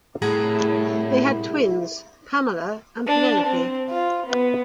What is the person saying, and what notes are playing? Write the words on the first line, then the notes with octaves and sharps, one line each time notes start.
They had twins, Pamela and Penelope.
C2 A2 E4 G#4 F#5 A#5
D4
C4
F4
B3